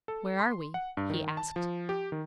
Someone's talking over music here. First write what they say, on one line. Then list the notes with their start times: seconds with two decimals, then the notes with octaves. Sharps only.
'Where are we?' he asked.
0.08 A4
0.39 C6
0.74 F#5
0.97 G2
1.10 D#3
1.37 A5
1.56 F3
1.89 G4
2.12 D#3